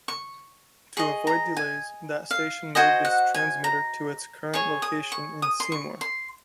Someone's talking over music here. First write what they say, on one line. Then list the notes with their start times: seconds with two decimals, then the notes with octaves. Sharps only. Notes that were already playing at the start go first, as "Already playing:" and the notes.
To avoid delays, that station moved its transmitter to its current location in Seymour.
0.08 C#6
0.97 G#4 D#5 C#6
1.27 A#5
1.57 G#5
2.31 F5
2.75 F#4 C5 D#5 G#5
3.05 F#5
3.34 G#5
3.64 A#5
4.53 G#4 C#5 C#6
4.82 D#6
5.12 C#6
5.42 D#6
5.60 C6
5.72 C#6
6.01 C6